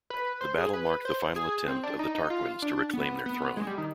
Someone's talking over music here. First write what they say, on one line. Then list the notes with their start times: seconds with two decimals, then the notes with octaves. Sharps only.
The battle marked the final attempt of the Tarquins to reclaim their throne.
0.10 B4
0.41 C5
0.58 G#4
0.73 B4
1.05 C5
1.36 G#4
1.68 C4
1.83 D4
1.99 D#4
2.15 D#4
2.30 F4
2.62 D4
2.93 B3
3.26 B3
3.57 G#3
3.67 G3
3.78 D#3